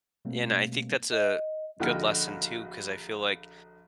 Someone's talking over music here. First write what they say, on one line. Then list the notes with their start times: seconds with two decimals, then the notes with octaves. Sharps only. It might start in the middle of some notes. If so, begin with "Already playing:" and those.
And, I think that's a, good lesson too 'cause I feel like,
0.25 B2 G3 A3 A#3 C4
1.12 D#5
1.80 A#1 D3 D#4 F#4 G5 F6